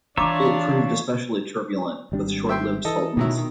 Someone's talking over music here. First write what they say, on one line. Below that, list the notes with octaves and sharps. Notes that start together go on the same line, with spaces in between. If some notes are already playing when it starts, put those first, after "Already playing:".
It proved especially turbulent, with short-lived sultans.
D#3 E3 D4 F4 C#5 E5 A#5 D6
G#1 G3 D4
E5 G5 C6
E3 A4 D#5
B2 D#3 F#3 E4
D#3